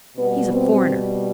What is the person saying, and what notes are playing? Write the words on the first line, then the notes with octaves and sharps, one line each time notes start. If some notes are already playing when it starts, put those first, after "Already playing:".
He's a foreigner.
B2 G3 B3
C4